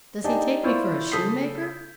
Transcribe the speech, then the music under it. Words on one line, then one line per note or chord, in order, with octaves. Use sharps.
Does he take me for a shoemaker?'
D4 D#4 G4 G#5 A5
E4 F4 C5 D5 C#6
C#3 A4 D#6 G6 B6 C7